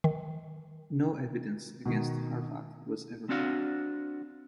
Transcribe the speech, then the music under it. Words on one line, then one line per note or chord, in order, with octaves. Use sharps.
No evidence against Arvad was ever found.
D#3
B2 D#3
C4 D4 F#4 F5